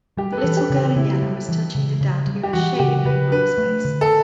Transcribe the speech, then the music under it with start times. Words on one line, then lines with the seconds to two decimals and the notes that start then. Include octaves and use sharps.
The little girl in yellow is touching the dad who has shaving cream on his face.
0.17 G3 G4
0.33 B4
0.37 A4
0.44 E3
0.57 G4
0.70 C#3
0.76 G4
0.96 C#3 E4
1.23 G3
1.49 E3
1.75 C#3
2.01 C#3
2.27 G3
2.43 G4
2.53 E3 F#4
2.79 C#3 G4
3.05 C#3 B4
3.32 D4 B4
3.58 A3
3.85 D3
4.01 A4